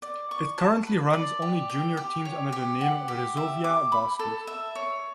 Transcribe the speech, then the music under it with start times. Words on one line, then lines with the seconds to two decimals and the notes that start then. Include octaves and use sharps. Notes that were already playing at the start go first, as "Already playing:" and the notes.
It currently runs only junior teams under the name Resovia Basket.
0.02 D5
0.31 C#6
0.58 A5
0.87 B4
1.13 D5
1.42 G4
1.69 G5
1.97 G4
2.25 C#5
2.52 G4
2.81 F#5
3.08 G4
3.37 E5
3.64 D6
3.92 B5
4.19 A4
4.47 E5
4.75 C#5